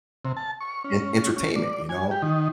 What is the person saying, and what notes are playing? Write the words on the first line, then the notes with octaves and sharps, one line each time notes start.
en entertainment, you know?
C3
A5
C#6
C#4
C#4
D5
G#5
G4
D#3